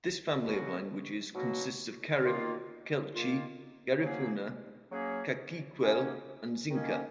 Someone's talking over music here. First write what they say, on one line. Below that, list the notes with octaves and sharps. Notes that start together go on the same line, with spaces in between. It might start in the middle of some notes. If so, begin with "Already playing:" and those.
This family of languages consists of Carib, Kekchi, Garifuna, Cakchiquel and Xinca.
B2 F#3 A#3 C#4 F#4
B2 F#3 A#3 C#4 F#4
D#3 A#3 F4
D#3 A#3 F4
F#3 A#3 C#4 G#4
F#3 A#3 C#4 G#4
D#3 A#3 C#4
D#3 A#3 C#4